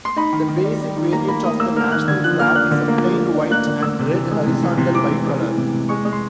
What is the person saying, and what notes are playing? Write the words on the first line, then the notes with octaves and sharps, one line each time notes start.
The basic variant of the national flag is a plain white-and-red horizontal bicolor.
C6
D#4 B5
D#3
D#3
G3
G3
D#3
A#3 A#5
A#3 B5
A#3 D#6
A#3 E6
A#3 F6
D#3 F#6
D3 G#6
F3 F#6
A#3 F6
D4 F#6
D3
A#3
F3
F3
D4
A#3 F#6
D3 F#6
D3 E6
C3
E3
G#3
C3
E3
C3
E3 D6
E3
G#3
E3
C3
C3
G#3 C#6
G#3
C6